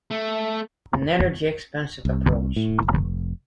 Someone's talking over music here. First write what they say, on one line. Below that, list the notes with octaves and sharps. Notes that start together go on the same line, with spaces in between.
An energy-expensive approach.
A3
C2
A2
F1